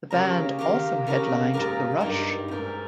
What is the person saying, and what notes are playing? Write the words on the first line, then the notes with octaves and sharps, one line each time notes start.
The band also headlined The Rush!
C#3 G4 A#4 F5 A#5
D#3 G4 A#4 F5 A#5
C#3 G4 A#4 F5 A#5
G#2 G4 A#4 F5 A#5
G2 D#4 G4 A#4
G#2 D#4 G4 A#4